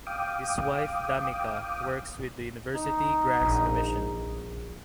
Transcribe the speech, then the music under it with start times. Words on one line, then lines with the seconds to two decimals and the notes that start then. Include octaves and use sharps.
His wife Dhammika works with the University Grants Commission.
0.07 F5 G5 D6 D#6
2.75 D#4
3.41 A#1